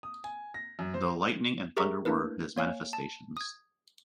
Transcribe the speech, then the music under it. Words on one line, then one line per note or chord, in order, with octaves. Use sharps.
The lightning and thunder were his manifestations.
D#6
G#5
A#6
F#2
C5
G4 G#4 A#4 E5 A#5 C#6
A3 A#3 D4 E4 A#4 B4
A#3 C#5 F5 G#5
A5
D#6 G#6